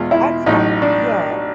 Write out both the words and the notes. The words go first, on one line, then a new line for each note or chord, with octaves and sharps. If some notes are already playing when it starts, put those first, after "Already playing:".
I mean, I yeah.
Already playing: E2 B2 G#3 F4
E4
A1 A2 F#3 D#4
D4